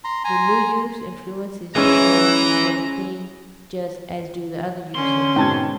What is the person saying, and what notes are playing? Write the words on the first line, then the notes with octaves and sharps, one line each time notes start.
The new use influences demand for the thing just as do the other uses.
A#5 C6
G#5 A#5 C6
E3 G#3 C#4 A#5
D3 C#4 C6
G#2 B2 G5 A5 G#6